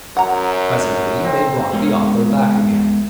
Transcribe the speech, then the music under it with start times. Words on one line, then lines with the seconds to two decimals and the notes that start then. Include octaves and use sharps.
Presently they brought the author back again.
0.17 F#2 F#5 A#5
1.24 C4
1.73 G#3 B3 F#4 A#4 C#5 F5